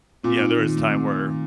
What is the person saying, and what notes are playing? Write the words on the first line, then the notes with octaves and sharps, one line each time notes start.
yeah, there was a time where
A#2 C4
D#4
D#3
A3
C4
D#4
D#3